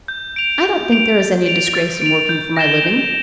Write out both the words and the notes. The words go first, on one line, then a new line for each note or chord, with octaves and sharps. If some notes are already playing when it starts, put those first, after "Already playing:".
I don't think there is any disgrace in working for my living.
G6
D7 F7
G6
D7 F7
A6
D7 F7
A6
D7 F7
G6
A#6 E7 G7
G6